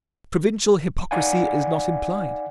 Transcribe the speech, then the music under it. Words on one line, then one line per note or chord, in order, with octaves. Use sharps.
Provincial hypocrisy is not implied.
D#4 D5 F5 F#5 G#5